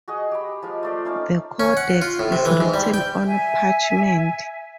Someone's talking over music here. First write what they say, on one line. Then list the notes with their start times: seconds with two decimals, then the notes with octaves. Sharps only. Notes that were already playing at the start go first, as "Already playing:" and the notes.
The codex is written on parchment.
0.08 F#4 G#4 D#5
0.31 G4 B5
0.62 F3 G#3 F4
0.83 A3 D5 C6
1.05 C#4 D#4 C5 F5
1.60 C#4
1.77 F#5
2.02 F4
2.19 A2
2.32 C3
2.45 E3
2.60 G#2
2.74 G3
2.94 G5
3.27 E5 G#5